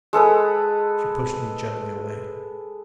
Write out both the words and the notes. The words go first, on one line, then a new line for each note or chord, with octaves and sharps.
She pushed me gently away.
G#3 A4 B4 D#6